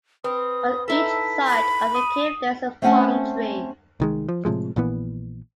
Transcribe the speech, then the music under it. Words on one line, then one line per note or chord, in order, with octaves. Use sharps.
On each side of the cave there is a palm tree.
C4 B4 D#6
D#4 E4 A4 B6
B5
D#6 D#7
A3 C4 C#4 F#5 G#5 A5
C2 D#3 G#3
F3
A2 C3 F3 G#3
A#1 A#2 E3 B3